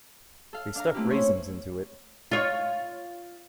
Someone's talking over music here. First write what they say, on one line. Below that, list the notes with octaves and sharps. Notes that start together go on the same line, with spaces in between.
They stuck raisins into it.
A4 F5
D4 F5 A#5
A3 A#3 C4 E4 G4
C4 C#4 E4 C5 C#5
F4 C#5